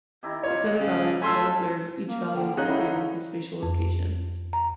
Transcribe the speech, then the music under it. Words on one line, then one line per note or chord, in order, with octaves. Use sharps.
A set of values is then observed, each value associated with a spatial location.
D#3 E4 G4
F4 C#5
C#3
A3 F4 A4 G#5 C6 E6
A#3
D3 G5
D3 C#4 D#4 G#4 F5 F#6
E4
F2
A#5